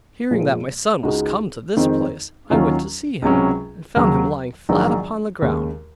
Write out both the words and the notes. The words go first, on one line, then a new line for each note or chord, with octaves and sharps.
Hearing that my son was come to this place, I went to see him, and found him lying flat upon the ground.
A#2 F3 G#3
C#2 C#3 G#3 D#4 F#4
F2 D#3 G#3 C4 D#4
D#2 D#3 F#3 C#4 F4
C#2 C3 F#3 C#4
D#2 C#3 F#3
A#1 G#2 D#3 F#3
D#2 C#3 G#3